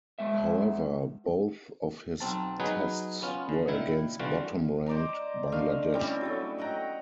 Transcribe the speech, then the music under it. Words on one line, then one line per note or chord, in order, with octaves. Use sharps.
However, both of his Tests were against bottom-ranked Bangladesh.
G#3 B3 E5
B1 C4 A5
F#3 B3 D#4 G#4 B4
B3 C#4 F4
D3
A#2 D#3 E4
D3 E3 G3 F4 F#4
C5 D5 D#5 A#5
D3 A3 D#5 F5
G3 C4 C#4 E4
F#3 A3 B3
D#5 F#5 G5 A#5